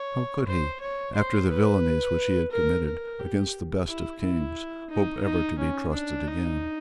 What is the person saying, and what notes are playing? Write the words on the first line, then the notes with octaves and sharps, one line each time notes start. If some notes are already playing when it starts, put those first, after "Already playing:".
How could he, after the villanies which he had committed against the best of Kings, hope ever to be trusted again?
Already playing: C#5
C5
C#5
C5
B4
A#4
A#4
G4
E4
E4
D#4
D#4
C#4
D4
D#4